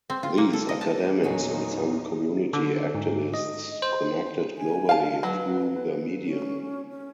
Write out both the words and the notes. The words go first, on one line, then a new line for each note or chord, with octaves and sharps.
These academics, and some community activists connected globally through the medium.
C4
F4
A#3
A4
D#5
A5
E2 A#2 F#3 D#4 F#4 G#4
D3
G#2
D#5
C5
G#5
F5 A5
F#3 B4
C#4
C#4